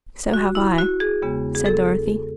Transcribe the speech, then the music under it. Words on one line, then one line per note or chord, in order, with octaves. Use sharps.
"So have I," said Dorothy.
F#4
E4
F#4
G#4
E2 C#3 G#3 B3
G#4
A4